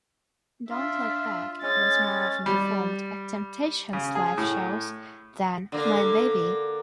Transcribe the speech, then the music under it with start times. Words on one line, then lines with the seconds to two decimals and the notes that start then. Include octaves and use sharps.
"Don't Look Back" was more often performed at Temptations live shows than "My Baby".
0.70 D4 F4 E5
1.62 G#3 C#4 A6
2.46 G3
3.93 C#3
4.15 G#4
4.38 A2
5.72 D3 A#3 A#4